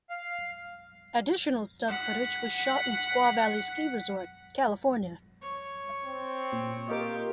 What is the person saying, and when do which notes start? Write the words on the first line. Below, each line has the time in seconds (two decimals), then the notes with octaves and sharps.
Additional stunt footage was shot in Squaw Valley Ski Resort, California.
0.10 F5
1.88 F#5 B6
5.43 C#5
6.05 C4
6.53 A#2
6.89 F4 G4 A#4 D#5 D6